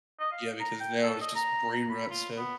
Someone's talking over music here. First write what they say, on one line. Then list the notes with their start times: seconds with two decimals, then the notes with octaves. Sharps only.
Yeah, because now it's just brain rot stuff.
0.20 D#5
0.32 F5
0.60 A#5
0.80 G5
1.02 A4
1.21 D#5
1.35 A#5
1.72 A#5
1.89 B5
2.10 F4
2.37 B3